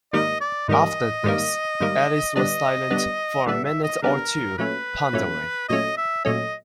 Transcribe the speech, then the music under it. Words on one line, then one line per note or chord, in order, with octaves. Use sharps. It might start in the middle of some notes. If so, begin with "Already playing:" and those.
After this, Alice was silent for a minute or two, pondering.
G#2 D#3 G3 A#3 D#5
D5
G#2 D#3 G3 A#3 D#5
G#2 D#3 G3 A#3
G#2 D#3 G3 A#3
D3 G3 B3 D4 D#5
D3 G3 B3 D4
D3 G3 B3 D4 E5
E5
D#5
D3 G3 B3 D4 A#4
A#2 F#3 A3 C#4 B4
A#2 F#3 A3 C#4
A#2 F#3 A3 C#4 D#5
E5
A#2 F#3 A3 C#4 D#5